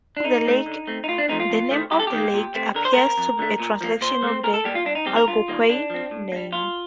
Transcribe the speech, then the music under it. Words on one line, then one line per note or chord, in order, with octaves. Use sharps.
The name of the lake appears to be a translation of the Algonquian name.
D4
D3 D#4
A3 C4
D3
A3 C4
D#4
A2 F4
D4
F3 A3 C4 D#4
F4
F2
D#3 A3 C4
G2 G4
A4
G4
D#3
A#3
A#2
A3 C4
D3 A#4
C5
A3 A#4
C4
F2
D3 A3
A#2
F3 A#3
A#2 C5
A3 C4
A#2 A#4
A4
G3 A#3 G4
F4
G2 D4
D#4
D#3 G3 C4 G4
A#4
G2 F4
D#3 G3 A#3
D3 D4
F3 C4
A2
A#3
G3
A#2 F4